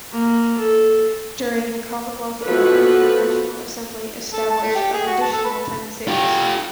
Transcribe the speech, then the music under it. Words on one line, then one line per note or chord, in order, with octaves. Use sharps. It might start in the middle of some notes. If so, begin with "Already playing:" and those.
During the Commonwealth era, the National Assembly established an additional ten cities.
A#3
A4
F3 B3 F#4 A4 B4
A4
A5
A3
G4
G#4
F#4
A5
A4
B4
F4 G4